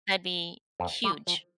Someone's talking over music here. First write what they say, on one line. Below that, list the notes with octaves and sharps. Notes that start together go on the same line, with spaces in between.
That'd be huge.
F2
G3
F3